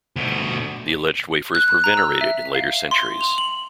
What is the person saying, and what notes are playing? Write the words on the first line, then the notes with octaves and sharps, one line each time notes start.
The alleged wafers were venerated in later centuries.
D2 B2
F#6
F#6
A#5
E6
E5
F5
C6
F7
F#7